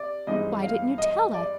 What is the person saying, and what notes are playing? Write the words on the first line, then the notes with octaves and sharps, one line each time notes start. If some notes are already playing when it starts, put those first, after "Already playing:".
Why didn't you tell us?
Already playing: C3 D5
G2 E3 G#3 C4 D#4 D#5
F5
D#5
D5